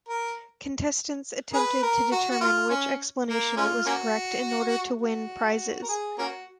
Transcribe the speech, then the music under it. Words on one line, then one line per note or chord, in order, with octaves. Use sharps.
Contestants attempted to determine which explanation was correct in order to win prizes.
A#4
G#4 B4
A#4
F#4
F#4
F4
C#4
A#3
G#3 C#4 F4
A#3 C#4 F#4
F#4
A#4
G#4
A#3 C#4 F#4